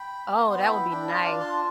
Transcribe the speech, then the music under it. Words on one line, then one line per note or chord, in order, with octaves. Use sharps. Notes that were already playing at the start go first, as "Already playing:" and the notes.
Oh, that would be nice.
Already playing: G5 B5
B3
C6
E4 G5 B5
D4 G5 B5
F5 A5
F4 D5 F5
A5 C6